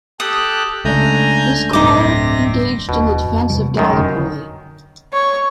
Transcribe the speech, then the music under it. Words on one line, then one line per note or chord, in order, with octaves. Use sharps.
His corps engaged in the defense of Gallipoli.
G4 A4 D#6 F#6
C#2 A3 D4 G#5 A#5 G6
D1 G2 C3 D#5 D6 A#6
D#1 B2 D4
F2
E2 C3 G3
F#2 D#3 F#3
F1 D3
C#5